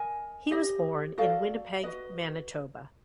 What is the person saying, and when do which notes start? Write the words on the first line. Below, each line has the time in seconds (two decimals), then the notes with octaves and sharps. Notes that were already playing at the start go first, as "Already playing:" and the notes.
He was born in Winnipeg, Manitoba.
Already playing: A#4 D#5 G#5
0.51 G4 C5 D#5
1.18 F#4 A4 D5 F5
1.83 F#4 B4 D#5